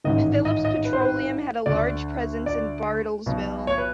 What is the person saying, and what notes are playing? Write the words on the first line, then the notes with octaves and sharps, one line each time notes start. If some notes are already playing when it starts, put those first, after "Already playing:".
Phillips Petroleum had a large presence in Bartlesville.
A1 G#2 D#3 D#5
D#5
D#5
B4
C5
B4
D2 D3 D5
D5
B1 B2
C#5
B4